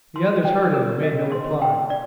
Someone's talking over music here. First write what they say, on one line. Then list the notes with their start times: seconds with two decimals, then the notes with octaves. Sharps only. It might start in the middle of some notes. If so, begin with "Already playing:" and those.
The others heard him and made no reply.
0.16 C6
0.45 G5
0.74 A#4
1.03 D#5
1.32 C6
1.62 G5
1.90 D5